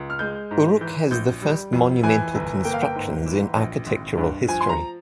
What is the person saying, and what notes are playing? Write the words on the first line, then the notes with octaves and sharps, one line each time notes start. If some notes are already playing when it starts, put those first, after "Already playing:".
Uruk has the first monumental constructions in architectural history.
Already playing: C#2
F6
G#3 G6
G#2
E3 G6
A#1 G6
G3
F2
E3 G#5
G1
A#3 G5
F5
G5
G#2
E3
A#1
G#1
G2
F3 G#5
C6
A#5